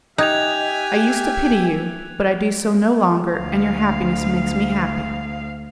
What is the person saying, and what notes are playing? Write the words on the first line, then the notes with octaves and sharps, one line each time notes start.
I used to pity you, but I do so no longer, and your happiness makes me happy.
D#4 G4 E5 G#5 F#6 G#6 F7
D2 F5